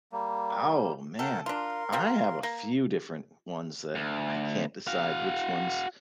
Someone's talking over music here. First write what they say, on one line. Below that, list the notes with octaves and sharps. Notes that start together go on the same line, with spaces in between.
Oh man, I have a few different ones that I can't decide which one's
G3 A#3
A4 A#4 F#5 G5
D4 F4 A#4 C6
G3 A#3 F4
A#3
D2
F#4 F5